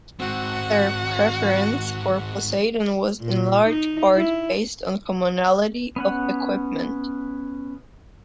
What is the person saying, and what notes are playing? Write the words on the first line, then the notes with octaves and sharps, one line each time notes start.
Their preference for Poseidon was in large part based on commonality of equipment.
G#2 C4 F#4 F#5
A#2
D#4
E4
B3 C#4 F#5